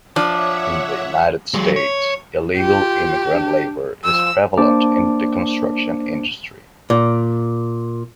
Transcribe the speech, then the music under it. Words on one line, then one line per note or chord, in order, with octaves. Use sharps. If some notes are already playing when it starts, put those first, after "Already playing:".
In the United States, illegal immigrant labor is prevalent in the construction industry.
F3 D4 C#5 E5 F#5 D6
F#3 G#3
C#5
F4 G4
D4
F3 E6
A#3 D4 C5 A5 D6
A#2